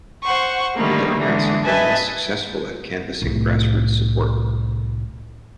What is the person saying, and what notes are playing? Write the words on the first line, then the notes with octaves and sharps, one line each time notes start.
The Democrats have been less successful at canvassing grass-roots support.
C5 F#5 C#6
D3 D#3 G3 A3 A#3
D3 E3 G#3
B4 D#5 E5 G#5 A5
C2 A2